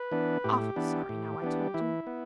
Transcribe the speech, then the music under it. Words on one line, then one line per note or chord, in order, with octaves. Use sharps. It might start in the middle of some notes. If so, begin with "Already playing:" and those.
Awful sorry now I told you.
Already playing: B4
E3 B3 D4
A2 G4
E3 B3 D4
A2
E3 B3 D4
E3 E4
B3